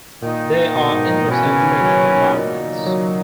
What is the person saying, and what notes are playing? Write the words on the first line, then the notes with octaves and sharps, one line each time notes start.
They are endocentric environments.
A#2 D#3 A#3 D#4
B2
G#2
A#2
B2 E3 A#3 C#4
C#3
D#3
F#3
A#2 A#3 D#4
F#3